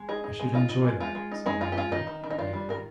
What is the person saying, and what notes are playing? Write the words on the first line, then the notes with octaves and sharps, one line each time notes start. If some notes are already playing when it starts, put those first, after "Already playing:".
"I should enjoy that," said Margaret bravely.
Already playing: G#3
D#4 G#4
D#4
G#3
D#4 F4
D#4
G#3
G#3 F4
G#3
D#4
G#3 D#4
G#3 F4
G4
G#3 F4
D#3 D#4
D#3
D#3
D#4
D4 F4
G3
D#3 A#4